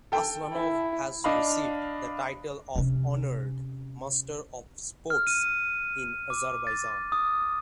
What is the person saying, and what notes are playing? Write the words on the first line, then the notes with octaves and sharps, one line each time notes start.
Aslanov has received the title of "Honored Master of Sports" in Azerbaijan.
A4 G5
E4
D4 D#5 F5 B5
C3 C#4
F6
D#7
D6
A6
D#6